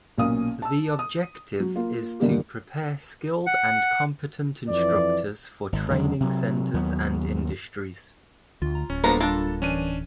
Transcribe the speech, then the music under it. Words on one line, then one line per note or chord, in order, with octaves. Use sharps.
The objective is to prepare skilled and competent instructors for training centres and industries.
B1 A#2 A#3 C#4 F5 D#6
A5 E6
D#6
F#3
A#3 F4
G2 D3 D#3 G3 A#3 G4
F#5
F2 E3 D5
G#1
E2 D3 F#3 G#3
C3 F#3
D#2 F#3 B3
D2 F4
A#5
D1 C#4
F3 G3 A#3 B3 D4 A4 B4 A#5
G3 A#3 D4 F4 A4 A5
E3 C#4 D4 D#7